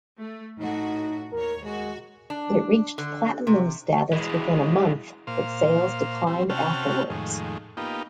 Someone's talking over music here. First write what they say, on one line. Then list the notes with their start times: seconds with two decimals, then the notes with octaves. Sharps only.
It reached Platinum status within a month, but sales declined afterwards.
0.20 A3
0.59 A2 D#4 F#4
1.33 D#2 A#4 C#5
1.63 G#3 F#4
2.30 D4
2.98 D3
3.47 C3
4.13 E3 G#3
5.27 A#2 C5 F5
6.27 G3 C4
6.50 C3 C#4 F#4 G5 A5 F6
7.10 F2 A2 D#3 G#3
7.77 A#3 B3 D#4 F4 G4